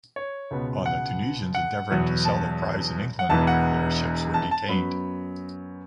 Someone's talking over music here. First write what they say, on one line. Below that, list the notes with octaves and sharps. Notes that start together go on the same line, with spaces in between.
On the Tunisians endeavouring to sell their prize in England, their ships were detained.
C#5
C#2 B2 B3
F#5
F#5
E2 B2 F#3 B3
A5
F#5
E1 E2 E3 B3 A5
F#5
A5
A5
F#2 F#3 B3 B5